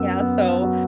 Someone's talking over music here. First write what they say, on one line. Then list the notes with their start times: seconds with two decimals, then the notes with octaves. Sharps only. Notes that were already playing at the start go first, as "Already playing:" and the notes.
yeah, so
Already playing: F#2 B3 E6
0.20 B3
0.62 F#3